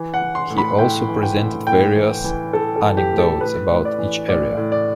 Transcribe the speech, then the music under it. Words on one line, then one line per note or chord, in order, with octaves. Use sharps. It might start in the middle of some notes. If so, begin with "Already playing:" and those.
He also presented various anecdotes about each area.
Already playing: E3
F#5
E3
C6
A2
B5
A2 G5
E3
G5
A2
A2 G5
E3
E3
E3 A4
A4
E3
G4
A2
A4
A2 B4
A2
D5
E3
A2 D5
A2
D5